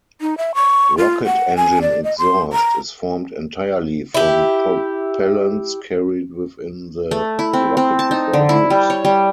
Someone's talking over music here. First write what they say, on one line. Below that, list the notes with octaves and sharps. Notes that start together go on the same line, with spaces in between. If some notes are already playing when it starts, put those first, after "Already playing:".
Rocket engine exhaust is formed entirely from propellants carried within the rocket before use.
D#4
E5
C#6
F4
F#5
G#5
D5
D#5
C6
A#5
E4 G4
A3
E4
C4
C4
A5
D#4
D3
E4
G3
C#5
G3